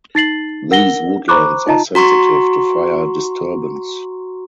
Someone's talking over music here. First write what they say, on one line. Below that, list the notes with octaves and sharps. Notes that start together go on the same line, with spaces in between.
These woodlands are sensitive to fire disturbance.
D#4 A6 C7 F#7
A#4 F#5 A#6 G7
C5 A#5 B5 C#6 D6 F#6
D#4 F4 D#5 A5 A#5
F#4 A#5 C6 C#6